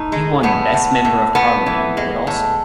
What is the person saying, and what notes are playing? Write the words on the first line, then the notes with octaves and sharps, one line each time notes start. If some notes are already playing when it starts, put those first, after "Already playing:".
He won best member of parliament award also.
Already playing: A2 D#4
G#3
A2 B3
A2
A2
A2 B3
E3
G#3
A2